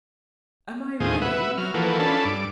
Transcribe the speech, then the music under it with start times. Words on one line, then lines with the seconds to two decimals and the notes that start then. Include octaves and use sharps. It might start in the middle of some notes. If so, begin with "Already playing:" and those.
"Am I winning?"
1.00 D#2 A2 F4 G#4 C5 D#6
1.22 B4 E5 F#5
1.58 F#3 F6
1.74 E3 F3 A#3 F#4 A4 B4
1.99 C#4 D4 F4 A4 A5 B5
2.25 G2 D6